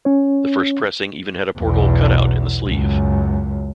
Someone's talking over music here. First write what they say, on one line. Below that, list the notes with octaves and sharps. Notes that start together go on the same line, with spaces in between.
The first pressing even had a porthole cut out in the sleeve.
C#4 C#5
B1 E2
C#2 F#2